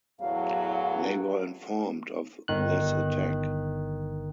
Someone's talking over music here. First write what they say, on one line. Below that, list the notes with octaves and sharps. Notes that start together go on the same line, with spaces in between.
They were informed of this attack.
E2 A2 F#3 F5
G1 D#3 F#6